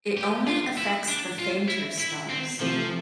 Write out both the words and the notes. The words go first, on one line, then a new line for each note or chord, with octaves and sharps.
It only affects the fainter stars.
G4
F4
E4
D4
F4
E4
E4
C4
C3 E3 F3 A3 C4